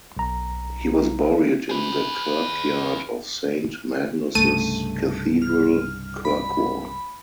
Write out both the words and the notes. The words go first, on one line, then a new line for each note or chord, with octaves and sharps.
He was buried in the kirkyard of Saint Magnus' Cathedral, Kirkwall.
B1 A#5
G#4 B4
C2 G2 C#3 A3 D#7
F6
B5